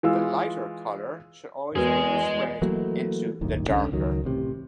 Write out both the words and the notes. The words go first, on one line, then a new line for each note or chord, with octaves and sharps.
The 'lighter' color should always be spread into the darker.
E3 G#3 F4 E6
E2 G#3 F#4 G#4 A#4 B4
E3 F#3 A3 A#3
D1 G1 D#2 D#3
C2 D3 C#4
C#2 D#3 F#3
A1 C3